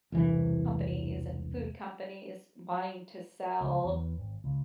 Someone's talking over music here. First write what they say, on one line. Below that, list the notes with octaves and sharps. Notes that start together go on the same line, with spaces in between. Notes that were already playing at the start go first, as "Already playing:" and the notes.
companies, and food companies wanting to sell
E1 C2 E3
C#2
E2
G#1
C#2